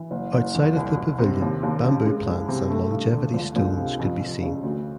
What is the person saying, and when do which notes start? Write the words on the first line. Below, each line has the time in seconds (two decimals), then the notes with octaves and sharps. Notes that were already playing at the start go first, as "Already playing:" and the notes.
Outside of the pavilion bamboo plants and longevity stones could be seen.
Already playing: E3
0.11 F#1
0.33 F#1
0.54 E2
0.76 C2
0.97 C2
1.18 C3
1.41 D#2
1.63 D#2
1.83 C#3
2.05 G#3
2.26 C2
2.48 C3
2.70 A3
2.92 G2
3.13 D3
3.34 C#2
3.56 C#2
3.78 C3
3.99 F2
4.20 F2
4.42 C#3
4.63 D2